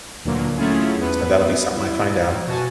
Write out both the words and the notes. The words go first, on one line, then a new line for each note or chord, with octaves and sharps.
So, that'll be something I find out.
D2 A#2 D3 E3 F#3 A#3
F#3 A3 C#4 E4 F4 G#4
E2 B3 B4
E4
B2 F#4 G#5 A5